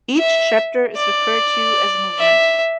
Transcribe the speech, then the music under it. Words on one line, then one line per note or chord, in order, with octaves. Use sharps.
Each chapter is referred to as a movement.
E5
D5
E5